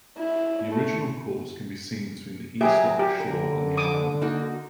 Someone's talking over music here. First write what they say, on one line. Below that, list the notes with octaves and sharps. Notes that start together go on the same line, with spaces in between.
The original course can be seen between the east loch shore and the island.
E4
A3
F#3 G4 G#4 A#4 E5
G4
D3 A#4
D6 D#6
A#3 D#4 F#4